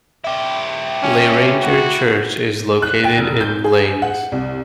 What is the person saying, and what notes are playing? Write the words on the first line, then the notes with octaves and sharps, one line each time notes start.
Leiranger Church is located in Leines.
E4 G4
C#4
F#4
F#6
G5
F1
G6
G#4
F#5
C2